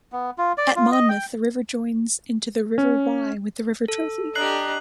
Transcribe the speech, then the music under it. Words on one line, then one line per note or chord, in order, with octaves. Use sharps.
At Monmouth the river joins into the River Wye with the River Trothy.
B3
F4
D5
F4
D#5
G5
C#4
A4
D4 G4 D#5 A#5 F#6 C7 F#7